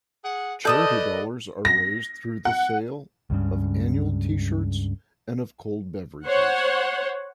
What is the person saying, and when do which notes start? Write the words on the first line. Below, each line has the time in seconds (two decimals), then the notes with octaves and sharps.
Charity dollars are raised through the sale of annual tee-shirts, and of cold beverages.
0.24 G#4 F#5
0.65 A4 B4 D5 D#5 A5 D#6 G6
1.65 A#6
2.45 F#5
3.30 C#2 G2 C#3
6.26 C5 C#5 F#5